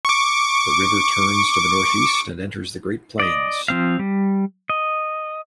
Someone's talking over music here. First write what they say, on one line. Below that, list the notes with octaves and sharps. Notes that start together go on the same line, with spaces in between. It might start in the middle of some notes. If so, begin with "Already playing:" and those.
The river turns to the northeast and enters the Great Plains.
C#6 D6
D5 D#5
F3 C4 F5
G3
D#5